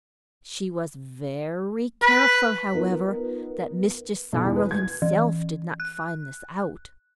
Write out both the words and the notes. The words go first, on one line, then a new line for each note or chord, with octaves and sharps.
She was very careful, however, that Mr. Cyril himself did not find this out.
B4
B3 D#4 F4 A#4
B1
E2
B4
G#6
E3
F#6